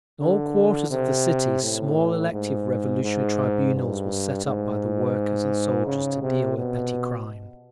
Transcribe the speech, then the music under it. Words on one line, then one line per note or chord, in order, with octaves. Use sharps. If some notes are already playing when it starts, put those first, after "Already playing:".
In all quarters of the city small elective Revolutionary Tribunals were set up by the workers and soldiers to deal with petty crime....
D3
C3
A2
G#2
G#2
G2
G#2
C#3
C3
B2